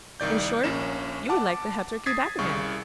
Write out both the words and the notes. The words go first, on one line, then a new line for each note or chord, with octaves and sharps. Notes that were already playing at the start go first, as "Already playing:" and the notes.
'In short, you would like the Heptarchy back again.
C2 D#3 D5 G6
A#1 A#3 C#4 E7
F#5 A5 D6
D#6 G#6 A6 B6 C7
C2 C#3 C#6